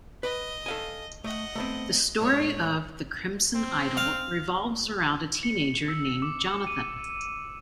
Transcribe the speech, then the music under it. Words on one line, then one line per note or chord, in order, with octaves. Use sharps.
The story of "The Crimson Idol" revolves around a teenager named Jonathan.
B4 D#5
A4 F5 G#5
A3 D#5 F#5
A3 B3 C4
A2 G#3 C#5
C4
F5
C#7
E6
D6
D#7